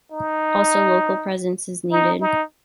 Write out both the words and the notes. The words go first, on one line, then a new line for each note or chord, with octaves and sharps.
Also, local presence is needed.
D#4
D#4
D#4